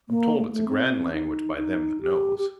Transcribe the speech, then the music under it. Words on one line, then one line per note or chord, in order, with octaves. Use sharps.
I'm told it's a grand language by them that knows.
A#3
A3
A#3
A3
C4
D#4
D#4
G4
G4